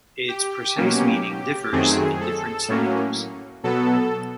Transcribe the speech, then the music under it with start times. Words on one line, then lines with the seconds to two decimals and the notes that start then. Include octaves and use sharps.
Its precise meaning differs in different settings.
0.28 G4
0.77 B2 F#3 A#3 C#4
1.72 F#2 D#3 F#3 A3 C4 G#4
2.21 A4
2.68 A2 F#3 A#3 C#4
3.64 B2 F#3 B3 A4